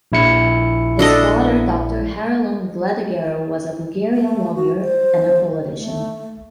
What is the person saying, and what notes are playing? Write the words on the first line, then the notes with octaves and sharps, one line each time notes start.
His father Doctor Haralan Vladigerov was a Bulgarian lawyer and a politician.
A#1 E4 C#7
D4 A4 D#5
A3
F#4
C5
A3